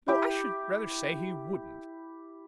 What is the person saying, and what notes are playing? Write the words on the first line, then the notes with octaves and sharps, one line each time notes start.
'No, I should rather say he wouldn't.
E4 G4 G5